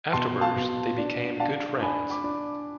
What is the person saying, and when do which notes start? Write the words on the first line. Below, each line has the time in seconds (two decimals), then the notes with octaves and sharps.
Afterwards they became good friends.
0.13 B2 A5 C6
0.41 F5 A5
0.56 B2
0.98 D4
1.40 D4 F5 A5
1.81 D4 G#5 B5
2.10 B5 D6
2.24 D4